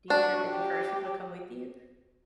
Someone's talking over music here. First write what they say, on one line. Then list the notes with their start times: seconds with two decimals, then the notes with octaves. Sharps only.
do you try to, like, encourage people to come with you?
0.10 D4 F#4
0.51 G4